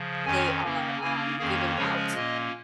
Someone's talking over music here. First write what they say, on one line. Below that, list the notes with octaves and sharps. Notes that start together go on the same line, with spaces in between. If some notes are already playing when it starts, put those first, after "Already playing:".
they are, um, giving out,
Already playing: C#3 F3
F2 D#3 C#4 G#5
C#3 A#3 C#4
C#3 A#3 C#4 G#5
F2 D#3 A#3 C#4 G#4
C#3 F3 G#3 C#4 C#5
A#2 A#3 C#4 D#5